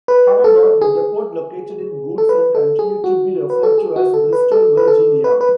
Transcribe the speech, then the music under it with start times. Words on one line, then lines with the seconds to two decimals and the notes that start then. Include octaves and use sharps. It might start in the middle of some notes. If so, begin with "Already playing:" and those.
However, the depot located in Goodson continued to be referred to as Bristol, Virginia.
0.08 B4
0.44 A4
0.81 G#4
2.18 A4
2.29 B4
2.55 A4
2.79 G#4
3.04 F#4
3.50 B4
3.63 A4
3.78 G#4
3.96 F#4
4.14 A4
4.33 B4
4.52 A4
4.77 B4
4.88 A4
5.24 B4
5.41 B4